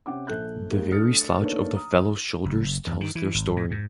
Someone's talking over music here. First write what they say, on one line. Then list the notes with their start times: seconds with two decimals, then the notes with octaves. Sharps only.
The very slouch of the fellows' shoulders tells their story.
0.06 C3 C4 C#4 F#5 G5 D6
0.27 A#1 A4 F#6 G6
0.70 G#3 A#3 D#4 G4
0.92 A3 D4 D#6 F6 A6 C#7
1.40 A3 A#3 D4 D#4 B4 C#5
1.73 A#5 D#6
2.45 F#1
2.87 E2
3.01 D#3
3.15 E3
3.35 G#1
3.56 A2
3.71 G#2